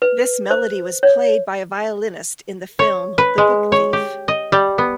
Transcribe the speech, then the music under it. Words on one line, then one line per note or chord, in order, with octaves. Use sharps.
This melody was played by a violinist in the film "The Book Thief".
B4
C5
C#5
C#5
B4
G#3
C#5
G4
D#5
G3
B3